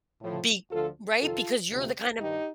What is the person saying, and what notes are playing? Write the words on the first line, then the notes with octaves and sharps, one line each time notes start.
be Right? Because you're the kind of
A2 F3
D2 D3 F3 F4 A4
F2 C3 D#3 F4 A4
D2 C3 F3
G2 D#3 D#4 G4